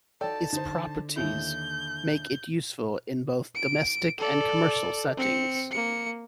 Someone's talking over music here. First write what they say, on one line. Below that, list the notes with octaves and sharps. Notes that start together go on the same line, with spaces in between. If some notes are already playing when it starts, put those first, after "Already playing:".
Its properties make it useful in both domestic and commercial settings.
D#4 F#4 A4 D5 G5 A5
D3 D#4 C5
D#2 E4 G6
D7
A4 D5
C4 C#7
A#3 C#7